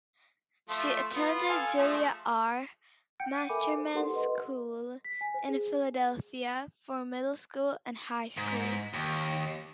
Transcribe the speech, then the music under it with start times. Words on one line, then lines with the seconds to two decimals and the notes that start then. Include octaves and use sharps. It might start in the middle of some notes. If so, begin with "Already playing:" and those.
She attended Julia R. Masterman School in Philadelphia, for middle school and high school.
0.69 F3 A3 F4
1.15 B3 F4
1.49 A4 F5 G#5
1.78 F3 G#3 A3
3.20 F#5 G5 G6 C#7 D7
3.38 D#7
3.49 A4 A#4 E5 G#5 B5 D6
3.78 C5
3.94 D#4 G4 A4 A#4 F#5 C6
4.14 B4 D#5 C6
5.05 B6
5.21 G#5
5.34 C5
5.48 G#4
8.37 G#2
8.93 D#2